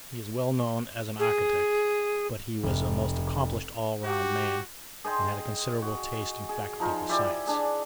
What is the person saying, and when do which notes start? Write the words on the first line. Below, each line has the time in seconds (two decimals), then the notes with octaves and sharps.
He is well known as an architect, but he was a most accomplished all-round man, and had a considerable taste and faculty for science.
1.20 G#4
2.64 F1
4.05 F#4 G4
5.05 G#4 D#5 G5 C6
5.82 F#4
6.49 G#4
6.80 F3 D#4 F4
7.09 E4 G4 D5 G#5
7.47 D4 G#4